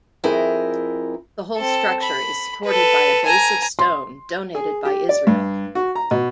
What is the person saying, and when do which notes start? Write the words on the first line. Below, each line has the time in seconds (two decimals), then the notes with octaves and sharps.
The whole structure is supported by a base of stone donated by Israel.
0.24 F2 E4 G#4 A#4 G5
1.57 C4 A4
2.03 B5
2.65 A4 B4
3.26 G#5 A#5
3.79 C6
4.55 G#4
4.85 G4
5.09 D5
5.27 G2
5.75 F#4
5.95 A#5
6.11 B2